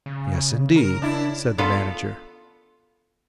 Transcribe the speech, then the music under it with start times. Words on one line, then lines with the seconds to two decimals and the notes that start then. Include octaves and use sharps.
"Yes, indeed," said the manager.
0.06 C#3
0.76 A#4
1.02 D4 E4
1.58 B3 F4 A4